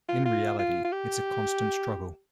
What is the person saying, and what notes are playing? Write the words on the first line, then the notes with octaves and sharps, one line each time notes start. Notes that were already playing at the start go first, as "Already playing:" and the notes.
In reality, it's a constant struggle.
F4
F4
F4
F4
G4